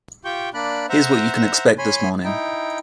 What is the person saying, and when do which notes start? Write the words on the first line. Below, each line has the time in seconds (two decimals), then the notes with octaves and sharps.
Here's what you can expect this morning.
0.25 F4 G4 G5 C#6 G6
0.54 A#3 D4 D5 B5 F#6
0.89 C5 E5 F#5 A#5
1.78 C#5 G#5 B5 C6
2.24 D#4 E4 G5